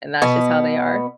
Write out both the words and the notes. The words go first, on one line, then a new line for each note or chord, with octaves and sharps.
and that's just how they are.
B2 B3